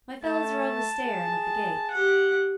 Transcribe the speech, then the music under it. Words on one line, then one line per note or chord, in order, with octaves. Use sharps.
'My fellows are on the stair and at the gate.
A3 A5
G#4
G4 F#5